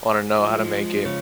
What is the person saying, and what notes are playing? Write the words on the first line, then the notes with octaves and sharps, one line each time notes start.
I wanna know how to make it.
F3 G#3
C#3